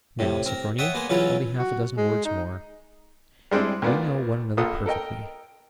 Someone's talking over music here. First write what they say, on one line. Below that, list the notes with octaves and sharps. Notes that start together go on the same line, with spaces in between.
Now, Sophronia, only half a dozen words more. We know one another perfectly.
A2 C3
C4 A#4
C#5 E5 F#5 G5 A5 D#6
A#3 B3 G#4 C5
C#3 E3 F#3 C#4 E4 F4
F#4
G#3
D#4
G3 G#3 C4 D4 E4
D2 D#3 B3 F4 D5
A#1 A#3 F4 A4 D#6
A4 A#4 D#5 G5